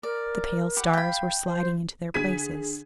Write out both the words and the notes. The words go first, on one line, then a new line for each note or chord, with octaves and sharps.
The pale stars were sliding into their places.
A#4 D5
G4 B4 F#5
F5 G5 B5
C5
D3 G#4 G#6 B6 D#7